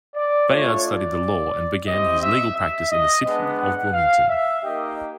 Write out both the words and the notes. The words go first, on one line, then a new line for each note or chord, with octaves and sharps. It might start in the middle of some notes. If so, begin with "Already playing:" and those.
Bayard studied the law, and began his legal practice in the city of Wilmington.
D5
A3 D4 F4 C#5
D5
C4 E4 G4 D#5
E5
E5
D#5
G#3 B3 D4
F#5
F5
E5
A#3 D#4 G4 D#5